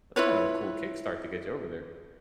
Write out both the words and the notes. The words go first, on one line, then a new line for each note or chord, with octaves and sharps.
that's kind of a cool kick start to get you over there.
E4 F4 B4 C#5